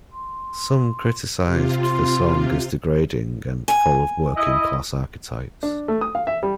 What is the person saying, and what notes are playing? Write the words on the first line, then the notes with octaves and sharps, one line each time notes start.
Some criticized the song as degrading and full of working-class archetypes.
C6
C3 F4 G4
C6
G#5
E4 D#5
D4
A3
D#6
F5
E5
G3